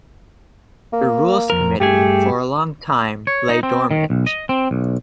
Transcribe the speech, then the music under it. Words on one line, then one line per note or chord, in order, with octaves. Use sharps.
The Rules Committee, for a long time, lay dormant.
A#3
F2 A#4
G2 A3 G4 G#4
C#5
D#4
C4
D#3
B1
D#5
C4
B1